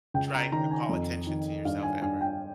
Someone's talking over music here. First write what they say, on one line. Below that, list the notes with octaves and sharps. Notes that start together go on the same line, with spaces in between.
trying to call attention to yourself ever?
C#2 G5
A#5
D#3 A#5
G#5
F2
D#3
G2 F5
G#5
G2 G#5
G5